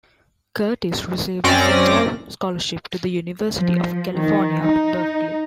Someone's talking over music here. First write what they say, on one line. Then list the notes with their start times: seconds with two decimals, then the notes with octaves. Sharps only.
Curtis received a football scholarship to the University of California, Berkeley.
1.44 F#2 C4 C#4 D5 A#6
3.58 F3
4.16 D#3
4.66 D#4